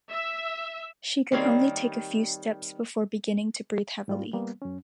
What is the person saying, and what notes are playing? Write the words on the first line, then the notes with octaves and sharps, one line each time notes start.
She could only take a few steps before beginning to breathe heavily.
E5
D#3 G3 A#3 C4 C#5
G#2 G3 F4
G3 A#3 B3
F#2 C#4